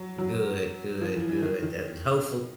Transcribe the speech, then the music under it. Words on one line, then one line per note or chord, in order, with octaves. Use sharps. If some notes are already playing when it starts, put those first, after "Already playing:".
Good, good, good, that hopeful
Already playing: F#3
F#3
F3
E3
E3
D#3
D#3